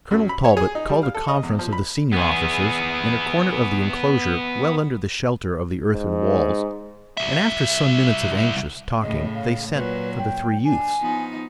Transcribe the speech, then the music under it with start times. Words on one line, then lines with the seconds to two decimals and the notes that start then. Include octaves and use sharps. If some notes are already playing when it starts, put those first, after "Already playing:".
Colonel Talbot called a conference of the senior officers in a corner of the enclosure well under the shelter of the earthen walls, and after some minutes of anxious talking they sent for the three youths.
0.11 F#2
0.29 B5
0.45 C#5
0.57 G#4
0.75 D#4
0.89 G3
1.03 F5
1.15 A4
1.28 D#5
1.43 E2
1.59 F3
1.73 B5
2.13 B3 G#4
5.93 G#2
7.17 C2 E5
9.02 A2 C#3 D#5
9.35 F5
9.75 A#2 F#3 B4
10.18 G5
10.65 D4 G#5
11.00 F3 B3 D#4